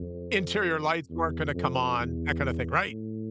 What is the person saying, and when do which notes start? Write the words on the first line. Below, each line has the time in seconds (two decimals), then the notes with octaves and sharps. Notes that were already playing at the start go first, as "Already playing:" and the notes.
Interior lights weren't gonna come on, that kind of thing, right?
Already playing: F2
1.09 E2
1.54 F2
1.98 E2
2.87 A2